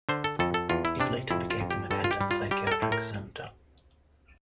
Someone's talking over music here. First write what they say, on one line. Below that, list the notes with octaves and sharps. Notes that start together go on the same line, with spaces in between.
It later became the Manhattan Psychiatric Center.
D3 C5
A4
F2 A4
A4
E2 F4
E4
C3 D4
F2 E4
F4
F2
G4
G2 A4
F4
G4
G3
F4
G3 G4
A#4
A4
A2
A#4